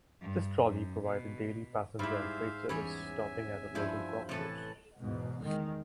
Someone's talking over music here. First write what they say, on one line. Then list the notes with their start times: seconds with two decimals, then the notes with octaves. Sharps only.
This trolley provided daily passenger and freight service, stopping at a local crossroads.
0.22 G2
0.66 F#2
1.07 B2
1.99 G#2 G3 E4 C5 E5 F5
2.69 E2 G3 C#4 C#5 E5 G#5
3.75 G2 F3 E4 C5
4.29 A2 C3 E3 A4 B4 A5
5.00 E2 G#2 B2
5.43 D#3 G#3